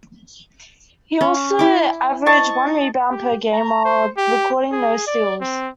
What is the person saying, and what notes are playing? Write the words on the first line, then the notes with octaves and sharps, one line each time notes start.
He also averaged one rebound per game while recording no steals.
C#4
E4 D6
D#5 A5 C#6
G4
A#5
C5
G4
G#4
D5
C4